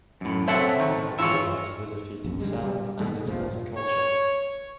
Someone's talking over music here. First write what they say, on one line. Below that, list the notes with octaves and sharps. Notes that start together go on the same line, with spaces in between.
These writers idealized the defeated South and its lost culture.
F#2 A2
C4 A4 C#5 E5 F#5 A5
D#3
E3 F4 C#5 E5
A#1 F#2
D3 G3 G#3
G3
A2 D#3 G#3 A3
F1 A#1 A#2 F3
C#5